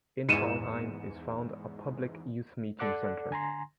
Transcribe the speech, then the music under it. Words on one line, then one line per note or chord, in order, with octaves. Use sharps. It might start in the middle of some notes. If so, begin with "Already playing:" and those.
In Saulheim is found a public youth meeting centre.
E2 G#2 C#7 D#7 E7
A4 D5 F#5 D6 F#6
D3 G#5 A#5 C6